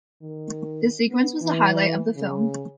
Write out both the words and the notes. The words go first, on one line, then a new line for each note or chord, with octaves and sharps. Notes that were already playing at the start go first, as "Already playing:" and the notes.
The sequence was the highlight of the film.
D#3
B3
E3
C#3